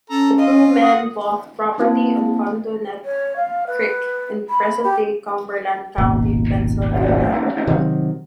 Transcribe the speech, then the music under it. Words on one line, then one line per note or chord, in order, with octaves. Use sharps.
The two men bought property on Conedogwinet Creek in present-day Cumberland County, Pennsylvania.
C#4 A4 A#5
F4 D#5
F#5 D#6
A#3 C4 E4 F#4 F5 A5
C#5
F5
B4
B5
G4
D#1 G#1 B2 A#3
C3 D#3 F3 F#3